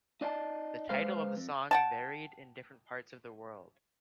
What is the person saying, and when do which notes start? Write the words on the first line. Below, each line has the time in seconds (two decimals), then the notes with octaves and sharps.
The title of the song varied in different parts of the world.
0.21 D#4 D5 D#5 G5 A5
0.89 G#3 B4 C5 F5
1.37 F2
1.71 F#5 G5 A5